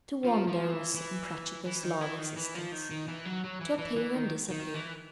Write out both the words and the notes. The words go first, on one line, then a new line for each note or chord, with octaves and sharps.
To wander was the Comprachicos' law of existence--to appear and disappear.
F3
F3
E3
E3
E3
D#3
E3
D#3
E3
F3
D#3
D#3
E3
F#3
F#3
E3
E3
E3
D#3
D#3
E3